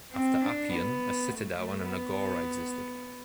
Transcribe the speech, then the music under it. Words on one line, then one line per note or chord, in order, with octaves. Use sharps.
After Appian, a citadel and an agora existed.
C4
D4
B3
A3
A3
B3